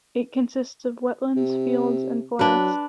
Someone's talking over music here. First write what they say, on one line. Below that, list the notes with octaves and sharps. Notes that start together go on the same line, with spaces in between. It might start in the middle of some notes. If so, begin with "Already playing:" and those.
It consists of wetlands, fields, and forests.
C3
F#3 D4 B4